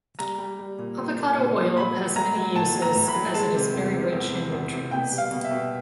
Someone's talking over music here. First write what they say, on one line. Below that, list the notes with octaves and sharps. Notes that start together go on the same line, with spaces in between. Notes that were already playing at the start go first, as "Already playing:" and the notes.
Avocado oil has many uses as it is very rich in nutrients.
G3 A#5
G3
G3
A#2
A#2
A#2
A#2
A#2
F#3 B5
F#3
F#3 A#5
F#3
A2 A5
F#3
A#5
A2
B5
F#3
G#3 A5
C3
E2
C3
E2
C3
E2
C3
B2 G5
G3
F5
B2
E5
B2